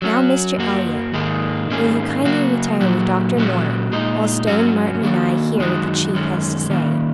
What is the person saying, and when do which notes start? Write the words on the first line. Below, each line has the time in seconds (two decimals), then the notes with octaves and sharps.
"Now, Mr. Elliott, will you kindly retire with Dr. Moore, while Stone, Martin and I hear what the Chief has to say."
0.02 F#3 C#4 F#4
0.57 F#2 F#3 A#3 F#4
1.13 G#2 D#3 A#3 D#4 G#4
1.68 G#2 D#3 A#3 C#4 G#4
2.24 C#3 F#3 A#3 F#4
2.80 A#2 F#3 A#3 F#4
3.36 A#2 F#3 C#4 F#4
3.92 A#2 G#3 D#4
4.47 G#2 F#3 C#4 F#4
5.03 D#3 A#3 F#4
5.58 F#2 D#3 G#3 D#4 F#4
6.14 F#2 D#3 G#3 C#4
6.70 D#3 A#3 C#4